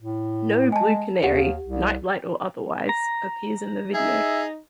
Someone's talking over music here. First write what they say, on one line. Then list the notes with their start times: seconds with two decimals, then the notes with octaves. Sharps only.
No blue canary, nightlight or otherwise, appears in the video.
0.01 A2
0.72 G#3 G#5 A5
1.23 D#2 G4 F#5
1.64 C2
2.89 A#5
3.94 D#4 G#4 E5